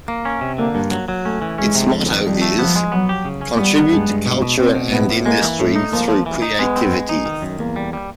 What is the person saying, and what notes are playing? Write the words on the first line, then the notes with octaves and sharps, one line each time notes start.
Its motto is "Contribute to culture and industry through creativity".
A#3
C#4
C3
D3 A#3
G2
F#3
F#3
A3 C#4
E3
G#3 C#4
C3
F2
D#3
F2 G3
A3
F3 B3
G#3
F#3 B3
G4
C#3
C#4
G3 B3
B3
G2 G#3
G2
B2
B2
B2 C4
B2
A2 B3
A2
G#3 A#3
E3
A2 A3
D#4
F3 A#3
F3
E3
D#4
G#3 B3
C4
G#3
D#4
D#3
F#2
E2 A#3
G3
G3